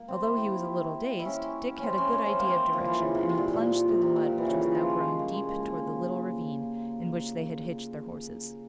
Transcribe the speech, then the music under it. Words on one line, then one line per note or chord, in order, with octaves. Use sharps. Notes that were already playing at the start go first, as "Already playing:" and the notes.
Although he was a little dazed, Dick had a good idea of direction and he plunged through the mud which was now growing deep toward the little ravine in which they had hitched their horses.
Already playing: A#3
C4
E4
G4
E4
C#4
C4 C#4
C#4
C#4
C4
A#3
C4
F3
E3
C#3
C3
C3
A#2
A#2
C3
C3
A#2
E3
C#3
E3
F3
F3
G#3
A#3
G#3
A#3
A#3